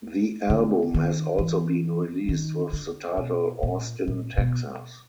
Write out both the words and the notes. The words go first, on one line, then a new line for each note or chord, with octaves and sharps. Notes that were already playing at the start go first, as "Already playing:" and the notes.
The album has also been released with the title "Austin, Texas".
D3
D#3
E3
D#3
D3
B2
A#2
A#2
B2